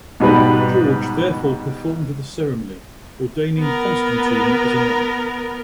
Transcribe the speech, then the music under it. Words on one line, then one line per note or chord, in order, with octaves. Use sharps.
George therefore performed the ceremony, ordaining Constantine as a monk.
G#2 B2 G3 B4
B3 A#4